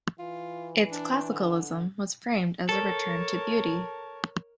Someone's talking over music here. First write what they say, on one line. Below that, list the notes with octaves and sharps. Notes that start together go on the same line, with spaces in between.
Its Classicism was framed as a return to beauty.
E3 F4
D4
D3
A4 A#4 C#5